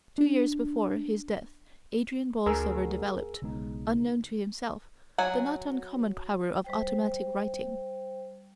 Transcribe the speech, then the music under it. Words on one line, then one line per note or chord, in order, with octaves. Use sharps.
Two years before his death Adrian Borlsover developed, unknown to himself, the not uncommon power of automatic writing.
D4
D2 G#4 A#4 E6
B1 C#3 G#3 B3 D#4
F#3 F#5 G#5
G3 C5 G5